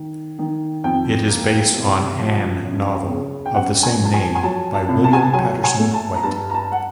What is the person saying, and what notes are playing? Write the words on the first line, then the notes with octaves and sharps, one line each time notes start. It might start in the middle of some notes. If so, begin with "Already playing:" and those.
It is based on an novel of the same name by William Patterson White.
Already playing: D#3
D#3
F2 G5
A#3
C3
F3
F#2
C#3
G5
F#2 F#5
G#5
F3
A5
G#5
G#5
F#3 A5
A5
C2
A5
G#5
A5
F#3 G#5
G#5
A3
A5
A#5
G2 A5
A#5
A5
F#5